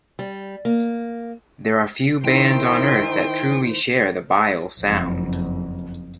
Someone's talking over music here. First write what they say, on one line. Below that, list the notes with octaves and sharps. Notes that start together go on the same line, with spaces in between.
There are few bands on earth that truly share the Bile sound.
G3
A#3
D#3 E4 C5 G5
F#1 F2